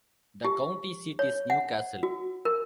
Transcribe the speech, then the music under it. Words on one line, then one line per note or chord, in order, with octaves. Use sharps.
The county seat is New Castle.
G4
C#5
F#5
F#4
A#4